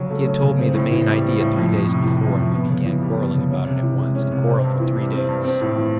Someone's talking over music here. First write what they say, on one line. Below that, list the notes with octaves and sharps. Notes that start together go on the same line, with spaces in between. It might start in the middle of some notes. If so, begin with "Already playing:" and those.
He had told me the main idea three days before, and we began quarreling about it at once and quarreled for three days.
Already playing: C#3 F#3 C#4
A3
C#4
C#3
C4
A2
E3
G3
C4
A2
F2
F2
C3
E3
F2
F2
B3
C#3
E3
G3
B3
C#3
C#4
C3
E3
G#3
C#4
C3
C4
G2
E3
G3
C4
G2
C4
A2
E3